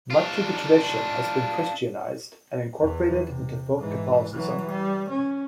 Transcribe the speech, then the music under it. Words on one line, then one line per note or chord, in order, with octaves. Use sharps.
Much of the tradition has been Christianized and incorporated into Folk Catholicism.
D4 F4
E2 E3
C3
G#2 E3
E3 F#3
G3
C#4